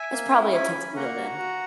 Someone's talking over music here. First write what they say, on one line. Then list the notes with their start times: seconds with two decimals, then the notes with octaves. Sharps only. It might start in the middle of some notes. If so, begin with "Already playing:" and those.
It's probably a tuxedo then.
Already playing: E5 G#5
0.12 A#3
0.34 E4
0.54 C#4 G#5 B5
0.75 C#4
0.96 A#3 F#5 A#5
1.17 F#4
1.38 F#4